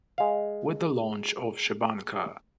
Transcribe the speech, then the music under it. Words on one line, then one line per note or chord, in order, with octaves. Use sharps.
With the launch of Che Banca!
G#3 F5